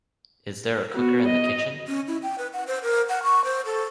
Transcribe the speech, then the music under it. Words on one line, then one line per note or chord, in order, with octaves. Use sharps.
Is there a cooker in the kitchen?
B3 F#4
D#5
C#4
E4
G5
B4
F#5
C5
A#4
F#5
C#6
C5
A4